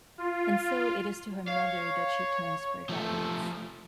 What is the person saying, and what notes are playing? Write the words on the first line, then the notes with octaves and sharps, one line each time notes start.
And so it is to her mother that she turns for guidance.
F4
C#5 F5
F3 A3